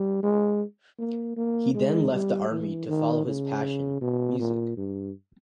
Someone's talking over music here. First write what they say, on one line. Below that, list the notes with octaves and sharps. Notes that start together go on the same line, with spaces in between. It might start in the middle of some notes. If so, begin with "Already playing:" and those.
He then left the army to follow his passion, music.
Already playing: G3
G#3
A#3
A#3
G#3
G3
E3
D#3
C#3
B2
A#2
G2